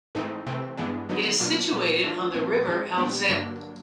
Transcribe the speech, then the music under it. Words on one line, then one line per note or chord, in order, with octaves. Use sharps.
It is situated on the river Alzette.
G#2 E3 A3 C4 D#4
C3 E3 A3 C4
G2 E3 G#3 B3 D4
D3 F#3 B3 D#4
B2 F#3 A#3 D4 F4
A#2 G3 B3
E3 A3 D4 F4
A#2 F3 A3 C4
G#2 E3 G#3 C4
A#2 G3 B3 D4 G4
G2 D3 F#3 A#3 D4